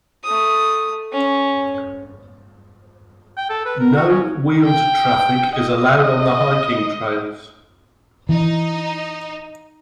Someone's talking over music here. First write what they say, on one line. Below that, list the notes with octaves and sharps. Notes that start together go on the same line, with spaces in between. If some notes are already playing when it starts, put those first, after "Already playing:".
No wheeled traffic is allowed on the hiking trails.
A3 D#6
C#4
G5
A4
B4
A#4
F#4
C#4
G5
D#5
E3 D#4